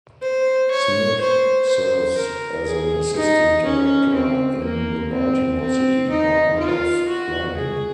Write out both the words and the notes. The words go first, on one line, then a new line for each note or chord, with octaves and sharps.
Smith serves as an Assistant Director in the Baltimore City Department of Planning.
C5
C#5
C5
C5
A#4
G#4
D#4
C#4
C4
A#3
C4
C4
D#4
F4
F#4
G#4